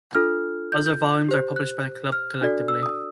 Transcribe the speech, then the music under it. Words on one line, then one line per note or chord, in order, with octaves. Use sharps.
Other volumes are published by the Club collectively.
D4 F4 A4 F6
G6
G6
G4 C5
F#6
F6
D4 F#4 A4 D5
E6
D#6